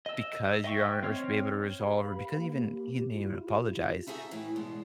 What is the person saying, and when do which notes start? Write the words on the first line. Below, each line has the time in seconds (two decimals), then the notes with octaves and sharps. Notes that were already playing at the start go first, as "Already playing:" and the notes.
because you aren't res be able to resolve or because even he didn't even apologize,
0.06 D#5 E6
0.64 D#5 E5 G5 C#6
1.03 C4 C#5 F6
1.81 G4 B4 F5 B5
2.38 A#3
3.14 E4 F4
4.07 D#4 E4 F#4 G#4 A4 E5
4.31 A2 E3
4.56 E2 B2 G#3